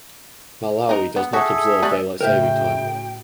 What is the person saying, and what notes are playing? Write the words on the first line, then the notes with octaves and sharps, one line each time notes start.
Malawi does not observe daylight saving time.
D#4 A#4
B3
F#4 G#4 A4 E5
A3 D4
A2 C#3 F#4 A#4 C5 E5 G5